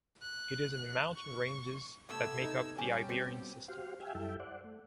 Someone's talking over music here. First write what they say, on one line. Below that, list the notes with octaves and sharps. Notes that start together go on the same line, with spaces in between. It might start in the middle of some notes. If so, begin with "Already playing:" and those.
It is in the mountain ranges that make up the Iberian System.
F#6
C#6
C3 A3 B3 G4 E6 G#6
D#4
G3 C#4 G4 G#5
B2 C4
F#4 G4 C5 F5
G4 E5 F5 G5 G#5
F#2 G3 E4 A4 E5 G5
C5 D5 F#5
A3